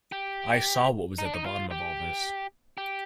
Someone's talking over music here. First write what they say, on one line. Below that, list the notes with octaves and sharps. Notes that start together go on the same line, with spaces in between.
I saw what was at the bottom of all this.
G4
D#4
D4
D#4
F4
G4
G4